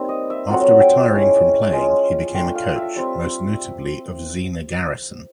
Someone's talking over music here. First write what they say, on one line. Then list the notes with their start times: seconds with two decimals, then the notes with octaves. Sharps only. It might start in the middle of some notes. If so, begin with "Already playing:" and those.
After retiring from playing, he became a coach, most notably of Zina Garrison.
Already playing: G3 A#3 C4 D#4
0.09 D#5
0.30 E5
0.49 F#3 A3 C4 F4 F#5
0.81 G5
1.12 G#3 C#4 E4
1.73 G#3 C#4 F4
2.34 A3 D4 F4 G5
2.55 F5
2.76 E5
2.96 G3 C4 F4